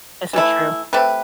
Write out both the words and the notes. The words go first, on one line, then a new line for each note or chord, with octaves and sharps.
This is true.
E3 A3 E4
A3 C4 G4 B4